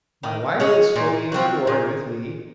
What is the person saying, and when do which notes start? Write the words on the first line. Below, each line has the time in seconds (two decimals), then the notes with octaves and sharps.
My wife is fully in accord with me.
0.23 D#3
0.60 G#3 C#4 G#4
0.96 A#2
1.32 F3 C4 F#4
1.67 A#2